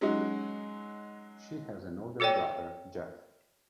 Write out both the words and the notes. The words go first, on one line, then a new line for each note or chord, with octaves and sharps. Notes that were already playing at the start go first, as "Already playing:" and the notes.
She has an older brother, Jeff.
F#3 G#3 C#4 D#4 F#4
F#4 A4 C#5 D5 G5